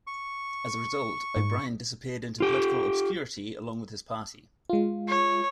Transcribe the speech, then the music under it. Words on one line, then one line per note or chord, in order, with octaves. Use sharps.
As a result, O'Brien disappeared into political obscurity along with his party.
C#6
G#2
F4 G4
G#3 F4
C#5